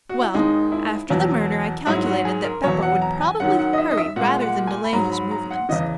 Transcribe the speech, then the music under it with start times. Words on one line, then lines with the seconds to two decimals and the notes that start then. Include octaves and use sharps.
Well, after the murder I calculated that Beppo would probably hurry rather than delay his movements.
0.09 F#4
0.22 E4
0.34 D#2 D#3 G#3 D#4
0.72 E4
1.10 E2 B2 F#3
1.87 G#2 F#3 E4
2.06 F#4
2.25 G#4
2.44 A#4
2.63 E2 B2 F#3 C#5
2.83 F#5
3.02 A#5
3.21 G#5
3.40 F#2 D#3 F#3 F#5
3.59 F#5
3.73 D#5
3.78 E5
3.91 D#5
3.97 E5
4.16 A#2 G#3 F#5
4.42 F#5
4.67 G#5
4.84 B5
4.93 G#2 F#3 A#5
5.12 B5
5.31 A#5
5.51 F#5
5.69 E2 C#3 E3 D#5